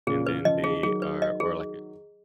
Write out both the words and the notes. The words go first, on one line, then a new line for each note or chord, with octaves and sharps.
and then they are or like a
A#2 C#3 G#4
B4
C#3 F3 D#5
G#4
D#3 F#3 G#4
B4
D#5
G#4